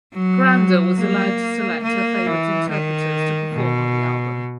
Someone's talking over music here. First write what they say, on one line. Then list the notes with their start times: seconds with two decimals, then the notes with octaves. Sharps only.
Granda was allowed to select her favorite interpreters to perform on the album.
0.14 F#3
0.98 A#3
1.83 A#3
2.27 E3
2.69 D#3
3.54 B2